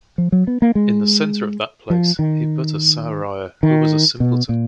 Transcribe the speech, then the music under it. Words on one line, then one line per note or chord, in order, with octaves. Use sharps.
In the centre of that place he put a Sahariya who was a simpleton.
F3
F#3
B3
A#3
G#3
F3
D#3
D#3
B2
A#2